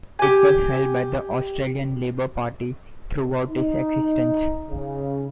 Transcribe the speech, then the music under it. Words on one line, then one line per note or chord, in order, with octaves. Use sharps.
It was held by the Australian Labor Party throughout its existence.
G4 G#5
D#4
C#3